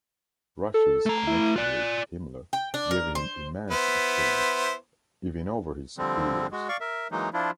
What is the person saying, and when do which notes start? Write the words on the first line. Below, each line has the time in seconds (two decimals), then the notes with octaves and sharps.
Rascher's connection with Himmler gave him immense influence, even over his superiors.
0.74 A4
1.06 A3 A#5
1.27 E4
1.56 F4 D5 F#6
2.53 G5
2.74 D4
2.91 A#4
3.15 C5
3.71 B3 E4 C5
5.98 D3 F3 G3 C4
6.52 G#3 F#4
6.69 D5 F5 C#6
6.81 A#4 E5
7.11 E3 F#3 G#3 A#3 D#4
7.33 F3 D4 E4 F4